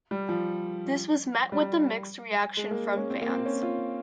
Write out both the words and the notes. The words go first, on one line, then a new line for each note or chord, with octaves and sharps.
This was met with mixed reaction from fans.
G3
F3
G3
G#3
A#3
C#4
C4
A#3
C4
C#4
F4